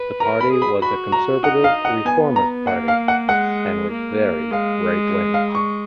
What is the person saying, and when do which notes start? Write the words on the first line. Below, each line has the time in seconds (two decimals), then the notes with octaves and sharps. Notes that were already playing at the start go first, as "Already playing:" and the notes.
The party was a conservative reformist party and was very right-wing.
Already playing: B4
0.20 A#4 A#5
0.41 B5
0.51 G#4
0.62 B5
0.82 F#4 B5
1.12 A#5
1.44 D#4 F#5
1.64 F5
1.85 F#5
2.05 B3 G#5
2.36 A#5
2.67 A#3 F#5
2.88 F5
3.08 F#5
3.28 G#3 F#5
3.91 A#3
4.51 G#3 F5
5.34 F5
5.55 C#6